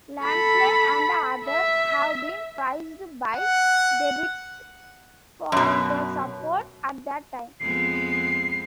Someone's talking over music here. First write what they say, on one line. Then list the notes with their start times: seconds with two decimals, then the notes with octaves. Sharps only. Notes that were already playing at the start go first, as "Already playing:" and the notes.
Lansley and others have been praised by Tebbit for their support at that time.
0.22 A4 B5
1.46 E5
3.35 F#5
5.52 F#2 B2
7.60 F2 G#3 B3 C7